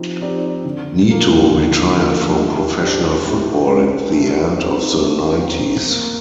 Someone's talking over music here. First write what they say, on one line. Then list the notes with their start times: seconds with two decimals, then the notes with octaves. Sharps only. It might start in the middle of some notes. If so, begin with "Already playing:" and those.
Neto retired from professional football at the end of the nineties.
Already playing: F3 C4 D#4 G4
0.21 C4 D#4 G4 D5
0.65 D3
1.09 F3 A#3 F4 A4
1.52 D3
1.95 F3 A#3 F4 A4
2.39 A3
2.82 D4 G4 C5 D#5
3.25 A3
3.69 D4 G4 C5 D#5
4.12 A3
4.57 C4 D#4
5.01 A3
5.43 C4 D#4
5.88 A#3